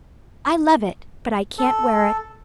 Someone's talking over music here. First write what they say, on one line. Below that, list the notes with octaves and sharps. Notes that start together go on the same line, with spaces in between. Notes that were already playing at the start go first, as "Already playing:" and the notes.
I love it, but I can't wear it.
A4